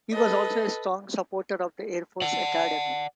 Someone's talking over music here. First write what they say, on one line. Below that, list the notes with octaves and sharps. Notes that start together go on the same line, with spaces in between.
He was also a strong supporter of the Air Force Academy.
A4 B4 D#5
D5 F#5